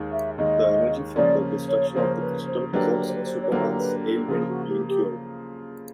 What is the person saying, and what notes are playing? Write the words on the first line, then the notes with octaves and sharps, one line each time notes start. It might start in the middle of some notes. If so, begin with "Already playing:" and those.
The energy from the destruction of the crystal results in Superman's ailment being cured.
Already playing: D#2 D#3 G#3
E5
D#2 D#3 G#3 D#5
C#3 F3 A#3 C#4 D5
C#5
C#3 F3 A#3 C#4 C5
B4
C5
D3 F#3 A#3 D4 G4 B4
B4
C5
B4
C5
C#5
D3 F#3 A#3 D4 G4 C5
B4
A4
C#3 F3 A#3 G#4
F#4
G4
G4